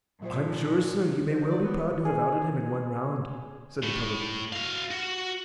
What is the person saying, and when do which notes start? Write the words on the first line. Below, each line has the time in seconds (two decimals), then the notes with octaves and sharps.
"I'm sure, sir, you may well be proud to have outed him in one round," said the publican.
0.22 A#2 F3 F#3 F4 C5
1.28 D3 C5
1.50 F#3 D5
1.64 E3 B3
2.05 G#4
3.83 A2
4.53 F#4 F5
4.91 F#4